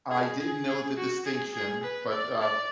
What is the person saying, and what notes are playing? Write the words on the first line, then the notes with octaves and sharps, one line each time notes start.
I didn't know the distinction, but, uh,
G#4
G#4
G#4
F#4
G#4
G#4
B4
D5
D5